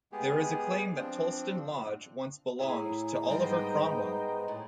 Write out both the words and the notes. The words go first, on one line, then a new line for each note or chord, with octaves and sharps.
There is a claim that Toulston Lodge once belonged to Oliver Cromwell.
G#3 B3 G4 G#4
F3 C4 D4
A2 E4 G#4 A#5
G#2 G3 G#3 B3 C5 D#5 G5
A2